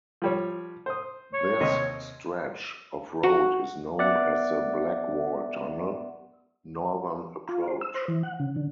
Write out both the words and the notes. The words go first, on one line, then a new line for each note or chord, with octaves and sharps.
This stretch of road is known as the Blackwall Tunnel Northern Approach.
F3 G3 C#5
C5 D#6
C#5
D#2 C3 D#5
F#4
B3 D5 E5 F#5
F4
C5
E6
C5
E3
F#5
C#3
D3